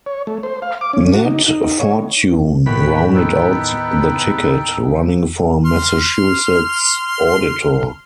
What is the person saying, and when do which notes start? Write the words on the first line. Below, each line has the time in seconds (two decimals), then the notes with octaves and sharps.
Nat Fortune rounded out the ticket, running for Massachusetts Auditor.
0.06 C#5
0.27 A3
0.43 C5
0.62 F5
0.81 D6
0.93 C#4
1.14 F#4
1.25 D#4
1.48 D#4
1.63 D#4
1.79 C#5
2.66 D#2 A2 B3 F#4 C#5 G5 B5
3.15 B3 D#4 A4 G5
5.66 C6 F6